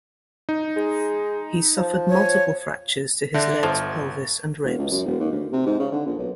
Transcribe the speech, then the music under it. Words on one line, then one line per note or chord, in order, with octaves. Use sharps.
He suffered multiple fractures to his legs, pelvis and ribs.
D#4
G#3
F3
C#5
D3 D4 E5 G6 A#6
G1 F3
E1
C#2
F#2
E1
D#2
D2
C3
G#2
C#3
D3
A#1
B1